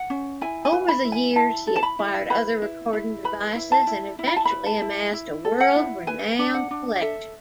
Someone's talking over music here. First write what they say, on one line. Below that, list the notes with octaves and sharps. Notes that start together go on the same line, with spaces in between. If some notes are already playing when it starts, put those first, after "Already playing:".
Over the years, he acquired other recording devices and eventually amassed a world-renowned collection.
Already playing: F#5
C#4
E4 G#5
G#5
B4
B5
E4
G#5
E4 A5
A4
A5
B5
E4
B4 B5
E4
E4
B4 B5
E4
A5
E4
E4
B5
A5
B4 B5
A5
E4
E4
A4
F#5
E4
B4 G#5
D4
F#5
D4
A4 E5